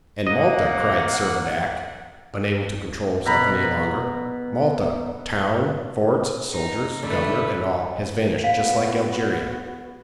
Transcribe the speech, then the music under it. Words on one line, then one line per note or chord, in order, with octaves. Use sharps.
"And Malta," cried Servadac, unable to control himself any longer; "Malta--town, forts, soldiers, governor, and all--has vanished just like Algeria."
A#3 D#5 F#5
B2 A#5 B5
D#4
D3 A3 B4
B3 F#4 F5